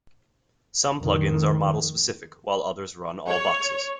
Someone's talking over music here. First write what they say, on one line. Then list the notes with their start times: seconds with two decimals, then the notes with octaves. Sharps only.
Some plugins are model specific, while others run all boxes.
0.97 F2 A2 D#3
3.28 C#5